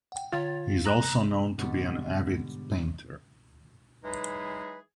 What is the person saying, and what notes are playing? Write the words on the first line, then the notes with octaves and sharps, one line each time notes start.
He is also known to be an avid painter.
F#5 G5
D3 F4 C#5 A6
A#5 F#6 A#6 F#7
G#2 B2 D3 G3
E3 F#3 G#3 D#4 G#4 B4